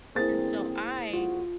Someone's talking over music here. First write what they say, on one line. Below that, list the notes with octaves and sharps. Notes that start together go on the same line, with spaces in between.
and so I
A1 G2 A#3 C4 E4 G#4 C5 A6
A1 F2 F4 F#4